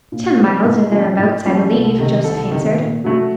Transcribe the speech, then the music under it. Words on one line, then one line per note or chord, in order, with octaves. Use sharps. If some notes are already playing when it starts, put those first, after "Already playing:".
"Ten miles, or thereabouts, I believe," Joseph answered.
A#2
F3 C4
A2 A#4
F3 A3 C#4
A2
F3 A3 C#4
C2 A4
C3 D#3
C2 A4
C3 D#3
A#2
F#3 A3